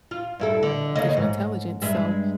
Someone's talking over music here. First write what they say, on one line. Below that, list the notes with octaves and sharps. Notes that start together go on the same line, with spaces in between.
artificial intelligence, so,
F4
G2 E4 A4
D3
D#2 C#3 D#5
G#2
G2 G#3 E5